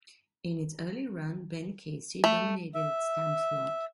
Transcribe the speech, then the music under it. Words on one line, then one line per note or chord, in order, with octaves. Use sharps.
In its early run, "Ben Casey" dominated its time slot.
A3
E5